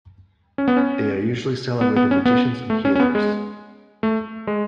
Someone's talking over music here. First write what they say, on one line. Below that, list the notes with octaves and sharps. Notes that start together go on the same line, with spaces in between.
They are usually celebrated magicians and healers.
C#4
B3
C#4
B3
B3
C#4
B3
A3
C#4
C#4
B3
G#3
A3
G#3